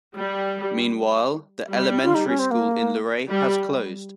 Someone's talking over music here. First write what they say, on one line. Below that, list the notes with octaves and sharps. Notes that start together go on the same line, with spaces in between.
Meanwhile, the elementary school in Luray has closed.
G3
G3
F4
D#4
C#4
C4
A#3
G3